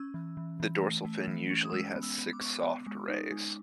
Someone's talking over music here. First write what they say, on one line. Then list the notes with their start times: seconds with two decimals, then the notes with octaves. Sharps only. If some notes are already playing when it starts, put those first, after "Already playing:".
The dorsal fin usually has six soft rays.
Already playing: C#4 E6
0.14 E3
0.37 E3
0.60 E3
0.83 A3
1.05 A3
1.27 E3
1.50 C#4
1.65 D#6
1.73 G#3 E6
1.95 B3
2.03 E6
2.18 B3
2.33 D6
2.41 B3 C#6
2.49 D6
2.64 B3
2.87 G#3
3.09 D#4
3.31 G#3